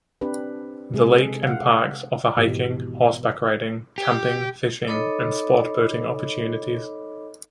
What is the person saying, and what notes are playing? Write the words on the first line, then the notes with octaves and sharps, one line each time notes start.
The lake and parks offer hiking, horseback riding, camping, fishing, and sport boating opportunities.
C4 D4 G4 B4
C3 G#3 G#4 A4
F5 F#5
G#1 B2 E3 G4
G4
D#4 A4 C#5 D#5 B5 D6